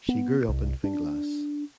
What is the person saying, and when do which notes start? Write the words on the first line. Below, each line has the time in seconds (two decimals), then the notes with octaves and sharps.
She grew up in Finglas.
0.08 B3
0.49 C2
0.84 D4